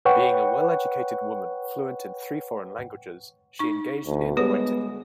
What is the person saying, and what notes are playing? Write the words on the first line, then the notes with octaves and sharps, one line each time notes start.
Being a well-educated woman fluent in three foreign languages, she engaged in writing.
B4 C#5 F#5 G5 C#6
D#4 C#6
D2
G3 G#3 B3 G4 C#5